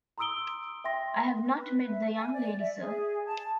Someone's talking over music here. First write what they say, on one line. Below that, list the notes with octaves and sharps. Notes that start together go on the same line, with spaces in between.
I have not met the young lady, sir.
A#5 C6 D#6 E6 D7 G7
E5 G5 C6 A#6
B4
E5
G#5
D5
E5
G#4
A5